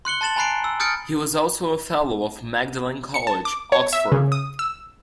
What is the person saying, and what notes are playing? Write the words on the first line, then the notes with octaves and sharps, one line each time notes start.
He was also a Fellow of Magdalen College, Oxford.
C6 F#6 C#7 G7
A5 C6 A6 E7 F#7
G#5 A#5 B5 F#6 C7 D7
E6
D#6 F6 G6 A6 C#7 D7
C#7
A5
D6
C#5
E5
C#3
D#6
E6